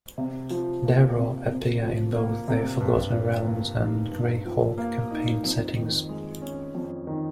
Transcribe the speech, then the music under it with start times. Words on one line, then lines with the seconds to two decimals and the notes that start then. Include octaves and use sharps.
Derro appear in both the Forgotten Realms and Greyhawk campaign settings.
0.18 C3
0.50 F3
0.84 A#3
1.17 C3
1.49 C3
1.82 F3
2.15 A#3
2.48 C3
2.80 G2
3.14 F3
3.46 A#3
3.79 D#4
4.12 G2
4.45 F3
4.78 A#3
5.11 D#4
5.44 F2
5.76 D#3
6.09 G#3
6.42 C#4
6.75 F2
7.07 D#3